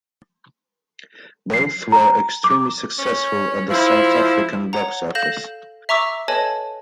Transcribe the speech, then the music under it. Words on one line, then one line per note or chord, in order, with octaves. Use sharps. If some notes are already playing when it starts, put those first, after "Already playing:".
Both were extremely successful at the South African box office.
C7
A#5
D6
C#4
F3 E4
C#5 F#5 A#5
A4 F5 G6 A#6 E7 F#7
E5 A#5 C#6 D6 E6
A4 B4 C#5 D#5 G#5 A5